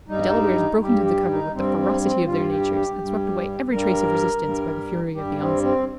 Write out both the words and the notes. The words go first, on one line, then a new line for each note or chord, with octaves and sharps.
The Delawares broke into the cover with the ferocity of their natures and swept away every trace of resistance by the fury of the onset.
G2 G3 D#4
G2 G3 G4
G4
D#4
G2 G3 C4
C4
C4
G2 G3 F4
G4
G4
G2 G3
G2 G3 A#4
G2 G3
G2 G3 G4
C4
C4